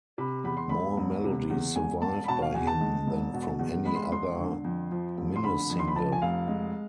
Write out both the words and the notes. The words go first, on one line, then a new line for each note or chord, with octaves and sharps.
More melodies survive by him than from any other minnesinger.
C3 B5
E2 B5
C6
E1 B5
E1
C3
E2
E1 G#5
E1 A5
B5
B2 A5
F5
E2 G#5
A5
G#3
E1
B2
E2
G#3 B5
C6
B5
E1 C6
D3
F2
F3
F1
C6
D3 B5
F2
C6
B5
F3 A5
G#5
F1 F5
G#3